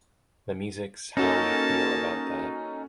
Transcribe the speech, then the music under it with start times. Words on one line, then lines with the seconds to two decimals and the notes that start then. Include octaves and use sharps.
The music's how we feel about that.
1.17 A#3 C#4 D#4 F#4 A4 A5